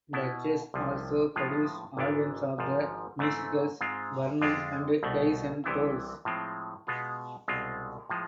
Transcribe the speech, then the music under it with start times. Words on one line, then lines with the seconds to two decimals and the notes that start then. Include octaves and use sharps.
Burgess also produced albums of the musicals "Barnum" and "Guys and Dolls".
0.13 B2 B3 E4
0.74 C2 C3 F3
1.36 A2 F3 G#3 B3 F4
1.97 G#1 G#2 E3 B3 D4
2.58 G#1 G#2 F3
3.19 G#2 E3 A3 C4
3.81 G#2 G#3 C4 F4
4.41 F2 D3 G#3 D4 F4
5.03 C2 B2 A3
5.64 C2 C3 E3 B3 E4
6.25 A2 F3 G#3 C4
6.87 B2 G#3 B3 F4
7.48 C2 B2 G#3 C4 F4
8.09 A2 F3 G#3